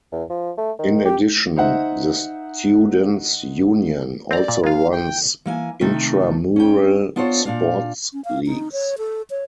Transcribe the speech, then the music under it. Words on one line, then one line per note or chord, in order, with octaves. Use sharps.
In addition, the Students' Union also runs intramural sports leagues.
E2
F3
A3
D#3
G4
D#4 C5 E5 F#5
C4 D5 A#5
A#2
G#3 F4 F5
G5
E3 A#3 G#5
C3 D#3 A3
C#4 G5
B3 D4 F4 A4 C5 C#5
A#2 D4 F5
C#4
F5
D#4
C#5
A4
C#5